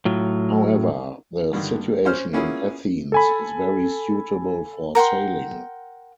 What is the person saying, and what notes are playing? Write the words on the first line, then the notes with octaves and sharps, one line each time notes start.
However the situation in Athens is very suitable for sailing.
A2 F#3 F4
G2 D3 D#3
C#4 C5 F6
A#3 B3 C#4 E4 F4 G#4
A4 G#5 B5
A#4 F#5 G5 C6